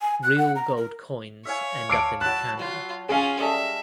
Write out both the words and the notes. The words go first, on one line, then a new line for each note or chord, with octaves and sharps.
Real gold coins end up in the cannon.
G#5
F#6
F#5
A#5
A#4
C#5 E5 F5 G#5
F5 A5 D6 E6 C7 D7
F#3 A5 B5 F#6
F#3 F4
C#4 F4 G#4 F5
G3 A4 D#5 E5